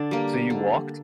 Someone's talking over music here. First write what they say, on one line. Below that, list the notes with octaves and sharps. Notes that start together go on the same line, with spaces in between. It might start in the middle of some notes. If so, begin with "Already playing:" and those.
So, you walked?
Already playing: D3 D4
G3 A#3
D3